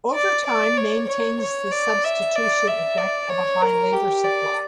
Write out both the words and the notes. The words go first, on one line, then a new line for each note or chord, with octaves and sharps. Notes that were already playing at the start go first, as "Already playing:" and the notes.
Overtime maintains the substitution effect at a high labour supply.
D5
D5
C#5
C#5
C#5
D5
E5
D5
E5
D5
C#5
A#4
G4
D5